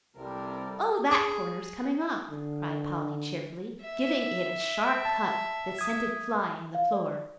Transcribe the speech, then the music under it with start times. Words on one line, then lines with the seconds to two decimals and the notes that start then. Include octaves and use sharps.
"Oh, that corner's coming off," cried Polly cheerfully, giving it a sharp cut that sent it flying on the floor.
0.17 C2 C3 G3 A4 A#4
1.11 G#4
2.30 D3
3.83 E5
5.05 A5
5.79 D#6 G#6
6.75 F5
6.93 D5